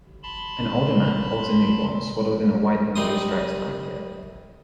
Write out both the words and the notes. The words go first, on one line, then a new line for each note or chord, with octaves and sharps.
An older man holds a newborn swaddled in a white and blue striped blanket.
A5 B5 C6
F#2 G3 D#4 A#5 C6 D#6